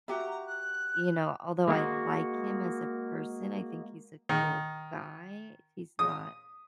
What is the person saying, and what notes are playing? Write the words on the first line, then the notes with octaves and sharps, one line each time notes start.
you know, although I like him as a person, I think he's a cool guy, he's not
F#4 G4 E5 A#5
F#6
G#3 A#3 D4 F#4
D#3
D#6